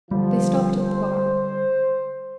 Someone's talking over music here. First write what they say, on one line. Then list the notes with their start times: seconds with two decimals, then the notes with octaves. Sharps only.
They stopped at the bar.
0.11 D3 F3 G3
0.78 C5